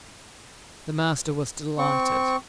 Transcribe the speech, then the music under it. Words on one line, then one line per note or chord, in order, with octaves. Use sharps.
The master was delighted.
C4 C#6